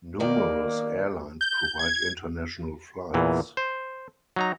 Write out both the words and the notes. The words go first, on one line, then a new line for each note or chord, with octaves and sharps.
Numerous airlines provide international flights.
B2 D#3 A#3 D5
G6
G#6
E2 A#2 E3
C5
F#3 D#4 A#5